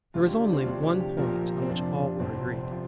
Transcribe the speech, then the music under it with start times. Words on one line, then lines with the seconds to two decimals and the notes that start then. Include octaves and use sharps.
There was only one point on which all were agreed.
0.14 D2 D3 G3 F4
0.27 G4
0.41 D4
0.53 C4
0.61 F4
0.66 D2 C3 F3 D4
0.83 G4
1.01 G4
1.17 A#1 A#2 F3 A#4
1.28 G4
1.42 A#4
1.62 C4
1.69 F2 C3 F3 D4
2.20 G1 F2 C3 G3 C4
2.71 C3 F3